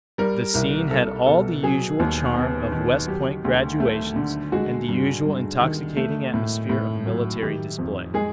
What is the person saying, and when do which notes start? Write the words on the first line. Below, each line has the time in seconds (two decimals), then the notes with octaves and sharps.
The scene had all the usual charm of West Point graduations, and the usual intoxicating atmosphere of military display.
0.18 G3 A#4
0.54 C2 A#4
0.91 C2 A4
1.26 B2 A4
1.63 F#3 G#4
2.00 D#2
2.35 B3
2.72 D#3
3.07 F#3 G4
3.45 D2
3.80 A3
4.16 D3
4.52 G#3 F#4
4.88 G2
5.25 G2
5.61 D#3
5.97 A3
6.34 A2
6.70 A2
7.06 F#3
7.42 D#3 G4
7.78 F2
8.14 G#3 G#4